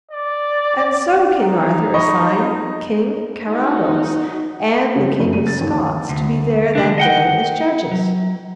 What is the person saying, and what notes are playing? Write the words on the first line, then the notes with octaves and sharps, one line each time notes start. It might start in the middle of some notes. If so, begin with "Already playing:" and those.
And so King Arthur assigned King Carados and the King of Scots to be there that day as judges.
D5
D#4
D#5 B5 C#6
D#4 F#4
C#3
F#1
D#7
A6
D#2
D2
D3 D4
D#5 F#5 G5
F#3